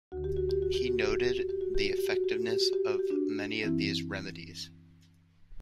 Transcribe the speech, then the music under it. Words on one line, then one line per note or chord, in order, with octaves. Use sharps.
He noted the effectiveness of many of these remedies.
D2 F#4
D3
G4
F#4
G4
F#4
G4
F#4
G4
F#4
G4
F#4
G4
F#4
G4
F#4
G4
F#4
G4
F#4
G4
F#4
G4
F#4
G4
D4 F#4
F#2 E3 C4 E4